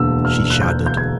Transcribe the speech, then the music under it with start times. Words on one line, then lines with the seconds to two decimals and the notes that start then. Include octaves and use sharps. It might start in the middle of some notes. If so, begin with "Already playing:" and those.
She shuddered.
Already playing: E1 D2 D3 A#3 E6
0.25 F6
0.50 F#6
0.62 G6
0.86 G6
0.97 G#6